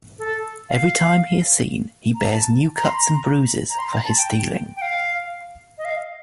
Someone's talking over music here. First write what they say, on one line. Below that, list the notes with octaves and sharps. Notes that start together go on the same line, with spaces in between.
Every time he is seen, he bears new cuts and bruises for his stealing.
A4
F5
A#5
A5
A#5
C6
A#5
A#5
C6
A#5
A5
G5
G5
F5
D#5
F5